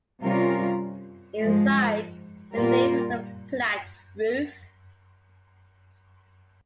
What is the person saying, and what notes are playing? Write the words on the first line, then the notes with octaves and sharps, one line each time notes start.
Inside, the nave has a flat roof.
C3 G3 C#4 F4 A#4
G#2 F3 G#3
A#2 G3 A#3 F4 A#4